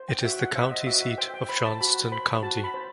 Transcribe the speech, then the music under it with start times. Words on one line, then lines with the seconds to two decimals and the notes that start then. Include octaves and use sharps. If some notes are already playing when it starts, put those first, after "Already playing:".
It is the county seat of Johnston County.
Already playing: C5
0.09 G5
0.24 F#4 E5
0.40 F#5
0.55 C5 E5
0.71 D#5
0.87 F#4 E5
1.03 E5
1.18 C5 G5
1.34 G5
1.49 C5 B5
1.65 A5
1.81 F#4 B5
2.12 C5 B5
2.43 F#4 A5
2.64 B5
2.74 C5